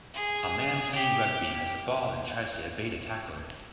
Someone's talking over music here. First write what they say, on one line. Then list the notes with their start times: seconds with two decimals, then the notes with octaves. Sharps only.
A man playing rugby has the ball and tries to evade a tackler.
0.14 G#4
0.93 G4